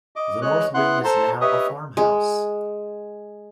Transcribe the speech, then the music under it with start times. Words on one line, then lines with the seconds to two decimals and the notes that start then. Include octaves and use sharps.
The north wing is now a farmhouse.
0.16 D#5 D6
0.42 G#3 C#5 D#5 F#6
0.74 B3 E4 F#5 C6 F#6
1.04 A4 C5 A5 A#5 C6
1.41 G4 B4 C#5 D#5 E5 D#6
1.97 G#3